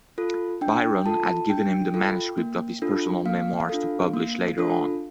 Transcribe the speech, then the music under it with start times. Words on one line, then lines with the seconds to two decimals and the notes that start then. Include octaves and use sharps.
Byron had given him the manuscript of his personal memoirs to publish later on.
0.18 F4 A4
0.61 D4 G5
1.06 F4 A4 A5
1.50 D4 G5
1.94 F4 A4
2.38 A#3
2.82 D4 F4 A4
3.25 A#3 F5
3.69 D4 F4 A4
4.14 A#3
4.58 D4 F4 A4